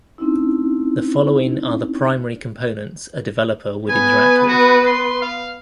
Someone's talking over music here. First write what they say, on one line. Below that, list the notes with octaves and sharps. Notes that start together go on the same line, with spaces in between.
The following are the primary components a developer would interact with.
A3 C4 C#4 D#4 E4
B3 B4 G#5
F#4
C6
F5